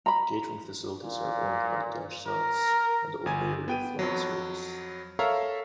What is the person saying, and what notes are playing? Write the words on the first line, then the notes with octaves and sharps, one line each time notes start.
Catering facilities are owned by Taj-Sats and Oberoi Flight Services.
A#5 B5
A#2
A#4
G1 G#5 G#6
B3 G5 D#7
F2 F#3
A4 A#4 C#5 E5 F5 A#5